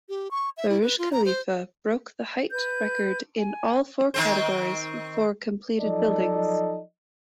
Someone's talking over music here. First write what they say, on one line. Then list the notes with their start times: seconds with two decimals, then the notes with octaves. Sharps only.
Burj Khalifa broke the height record in all four categories for completed buildings.
0.09 G4
0.31 C#6
0.57 E5
0.70 E4
0.82 B4
0.99 F4
1.12 A#5
1.25 C5
2.51 B4 G6
3.36 G#5
4.14 D#3 C4 C5
5.81 F3 F#3 D#4 A4 D5 D#5